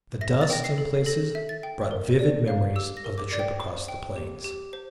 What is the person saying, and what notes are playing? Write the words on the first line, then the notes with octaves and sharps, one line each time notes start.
The dust, in places, brought vivid memories of the trip across the Plains.
E5 A#6
A6
G5 A#6
C7
A4
A4 A#6
E5
A6
G5
A#4
D5
F5
G4 E6
A#6
A#4
D6
D5
G5
C5
G5
G4
G4
C5